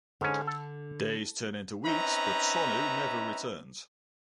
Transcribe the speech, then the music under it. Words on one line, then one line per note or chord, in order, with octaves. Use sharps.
Days turn into weeks but Sonu never returns.
G#2 D3 C#4
A4
C4 C#4 D#4 B4 E5 A#5